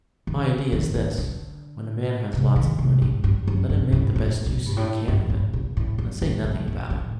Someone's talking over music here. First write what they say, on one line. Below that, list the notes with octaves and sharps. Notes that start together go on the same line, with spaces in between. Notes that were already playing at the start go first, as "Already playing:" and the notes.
My idea is this,--when a man has lots of money, let him make the best use he can of it, and say nothing about it.
D#3
D#3
D3
D3
C3
D#3
C3
A2
G2
F#2
G2
A2
A#2
A#2
G2
A2
G2
A2
A#2
A2
F#2
G2
A2
A#2
A2